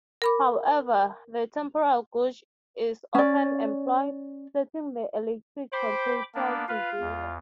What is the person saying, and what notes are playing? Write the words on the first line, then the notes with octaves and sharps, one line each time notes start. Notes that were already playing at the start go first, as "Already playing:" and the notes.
However, the temporal gauge is often employed, setting the electric potential to zero.
A#4 B5 D6
C#4 D5
C5 G5 B5 D6
A#3 B3 D4
F4 B4 F5
E2